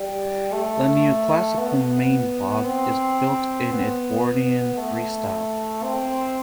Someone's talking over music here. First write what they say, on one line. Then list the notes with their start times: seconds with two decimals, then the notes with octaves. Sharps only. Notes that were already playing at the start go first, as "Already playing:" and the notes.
The neoclassical Main Block is built in Edwardian Free Style.
Already playing: G3
0.53 A3
1.60 B3
2.65 C4
3.72 B3
4.78 A3
5.83 C4